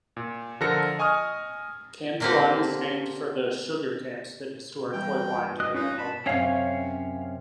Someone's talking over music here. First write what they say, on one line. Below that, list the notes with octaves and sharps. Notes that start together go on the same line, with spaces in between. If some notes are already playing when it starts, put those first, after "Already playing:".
Camp Run is named for the "sugar camps" that historically lined the valley.
A#2
D3 F3 A4 A#4 A#6 C#7
D#5 G#5 C#6 D#6 F6
A#2 D3 A#3 C4 G4 F#5
E3 G3 G5 A#5
G2 A#2 B4
D#5 D#6 F#6
C#4 D#4 F4 F#6
A5 B5
F#2 C3 C#4 C#5 F5